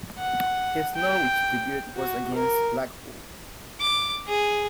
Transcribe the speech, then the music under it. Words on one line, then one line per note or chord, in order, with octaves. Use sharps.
His Norwich debut was against Blackpool.
F#5
G5
F#4
A#4
D6
G#4